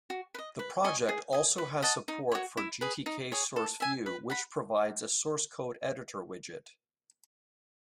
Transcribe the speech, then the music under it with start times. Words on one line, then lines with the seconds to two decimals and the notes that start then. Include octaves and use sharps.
The project also has support for GtkSourceView, which provides a source code editor widget.
0.10 F#4
0.34 B4
0.39 D#5
0.59 B4
0.84 D#5 G#5 C#6
1.09 G#4
1.33 D#5 G#5
1.58 B4
1.82 D#5 F#5 A5
2.08 D#4
2.32 F#4 C#5
2.57 E4
2.81 G#4 B4
3.06 D#4
3.32 G#4 C#5
3.56 A4
3.80 E5 G#5
4.06 B4
4.30 F#5 B5